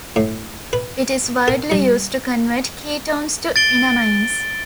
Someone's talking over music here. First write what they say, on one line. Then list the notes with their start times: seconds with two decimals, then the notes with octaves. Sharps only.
It is widely used to convert ketones to enamines.
0.16 A2
0.73 B4
1.48 A#4
1.71 G3
3.56 A6 D7 G7